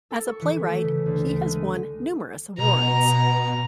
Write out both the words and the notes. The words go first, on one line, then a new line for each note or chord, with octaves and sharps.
As a playwright, he has won numerous awards.
A4
C#6
E3
A3
C#3
D2
A3
G#3
D#7
B2 A#5